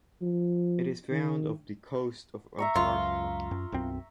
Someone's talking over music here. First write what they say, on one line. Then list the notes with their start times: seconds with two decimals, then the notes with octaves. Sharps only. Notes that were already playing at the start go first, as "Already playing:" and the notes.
It is found off the coast of Antarctica.
0.21 F3
1.11 D#3
2.58 E5 A#5 C#6
2.76 C#2 F#2 F4
3.51 F#2
3.72 B1 F#2 C4